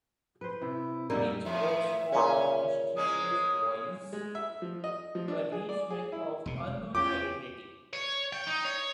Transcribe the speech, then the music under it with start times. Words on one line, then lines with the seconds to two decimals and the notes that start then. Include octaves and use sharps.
Each works for a mysterious "Voice", a rich man of unknown identity.
0.41 B4 C5
0.62 C3 E4
1.10 F2 D3 G3 G#3 A#3 D#4 E5
1.45 A2 F3 E5
2.12 A#2 C#3 C#4
2.97 G#3 A#3 C#4 D#6
4.13 G#3
4.35 E5
4.62 F3
4.84 D#5
5.15 F3
5.28 D4
5.52 G#4
5.69 D5
5.90 G#4
6.12 E4
6.46 E1 C3
6.95 E2 C#4 F4 G4 D6
7.93 C#5
8.33 G5
8.47 D#4
8.65 C#5